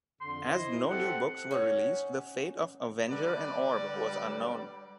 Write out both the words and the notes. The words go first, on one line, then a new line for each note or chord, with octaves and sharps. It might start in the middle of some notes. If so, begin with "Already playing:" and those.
As no new books were released, the fate of Avenger and Orb was unknown.
F2 D3 C6
E4 C5 D#5
C4 G4 A4 F#5
C#4 D#4 F#5
D3 G3 B4 D5